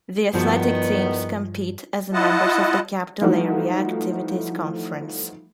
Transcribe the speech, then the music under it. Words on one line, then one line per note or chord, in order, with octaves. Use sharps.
The athletic teams compete as members of the Capital Area Activities Conference.
E2 G2 D#3 F3 B3 F#4
E4 F4 D#5 F#5 A5
E3 F3 G3 A3 D#4 F#4